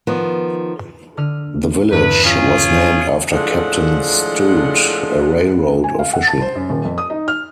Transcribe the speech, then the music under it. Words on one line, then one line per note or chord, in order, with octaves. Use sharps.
The village was named after Captain Stout, a railroad official.
D#3 F3 B3
D3 F6 D#7
E2 G2 B4
C#4 F4 G#4 B6
F#4
A2 F3 G#3 D4 F#5
G#5
F5
F#5
A5
C5
F#2
D#1
F2
D#6
D#4
F6